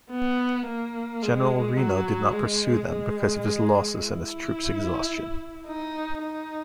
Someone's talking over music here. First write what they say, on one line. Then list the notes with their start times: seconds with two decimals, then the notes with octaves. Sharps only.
General Reno did not pursue them because of his losses and his troops' exhaustion.
0.11 B3
0.66 A#3
1.22 G#3
1.77 F#3
2.33 G#3
2.89 G#3
4.00 E4
5.67 D#4
6.22 D#4